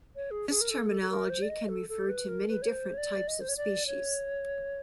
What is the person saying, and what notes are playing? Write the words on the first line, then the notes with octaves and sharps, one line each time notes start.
This terminology can refer to many different types of species.
C#5
G#4
G#4
A#4
A4
A4
A4
A#4
C5
D5
D#5
A4
A4
B4
A#4
B4
C#5
C5
C#5
D5
D#5
C5
C#5
D5
C#5